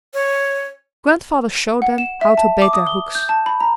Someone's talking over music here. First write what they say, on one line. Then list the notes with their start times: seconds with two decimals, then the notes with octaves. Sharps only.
Grandfather showed them how to bait their hooks.
0.14 C#5
1.82 F#5
1.98 E7
2.21 E5
2.37 A5
2.62 D6
2.73 D#6
2.87 G7
3.15 G6
3.29 A5
3.46 B5
3.60 A#5